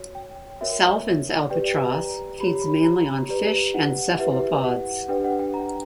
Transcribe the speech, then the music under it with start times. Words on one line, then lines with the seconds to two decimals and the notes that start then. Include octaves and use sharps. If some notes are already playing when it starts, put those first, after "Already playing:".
Salvin's albatross feeds mainly on fish and cephalopods.
Already playing: F#4 C#5
0.15 G5
0.61 F#4 A#4 C#5 E5
1.50 G4 B4 D5 G5
1.95 A#5
2.40 G4 C#5 B5
2.62 B5
2.84 A#5
3.29 G4 B4 D5
3.74 F#5
4.19 E4 G4 B4 E5
4.64 F#5
5.08 D4 G4 B4 D5 G5
5.24 F#5
5.39 G5
5.54 A#5